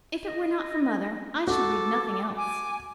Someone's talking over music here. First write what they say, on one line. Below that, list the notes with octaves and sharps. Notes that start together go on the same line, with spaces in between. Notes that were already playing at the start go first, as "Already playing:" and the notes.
If it were not for mother I should read nothing else.
D#5
F#4 A4 D6
G#5 D6